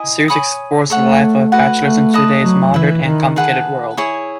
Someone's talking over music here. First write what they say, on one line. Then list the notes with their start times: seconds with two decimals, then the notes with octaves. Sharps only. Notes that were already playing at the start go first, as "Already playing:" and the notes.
The series explores the life of bachelors in today's modern and complicated world.
Already playing: E4 D#5 G#5
0.28 C#5 G#5 B5 D#6
0.90 A3 A4 C#5 F#5
1.52 F#4 B4 F#5
1.82 A3
2.13 B4 D#5 A5 D#6
2.43 F#3
2.74 E3 E4 B4 E5
3.05 D#3
3.36 G#4 B4 F#5 A5
3.97 E4 G#4 C#5